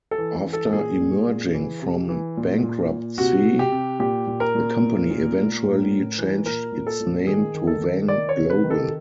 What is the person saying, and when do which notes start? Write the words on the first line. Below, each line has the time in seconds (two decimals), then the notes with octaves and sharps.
After emerging from bankruptcy, the company eventually changed its name to Wang Global.
0.11 A4
0.18 E3
0.46 E3
0.53 A4
0.73 A#2 G#4
1.01 A#2
1.27 A#2
1.54 E3
1.82 C3
2.09 E3
2.37 A#2
2.63 A#2
2.90 A#2
3.18 C3 F#4
3.46 C3
3.59 G4
3.72 C3
3.99 A#2 G4
4.27 A#2
4.40 A#4
4.55 A#2
4.82 A#2
5.10 A#2
5.36 A#2
5.64 A2
5.90 A2
6.18 E3
6.46 A#2 A#4
6.72 A#2
6.87 A4
7.00 A#2
7.27 D#3 G#4
7.54 D#3
7.67 A4
7.81 D#3
8.08 D#3 D5
8.29 C#5
8.36 C3
8.50 B4
8.63 D#3
8.70 A4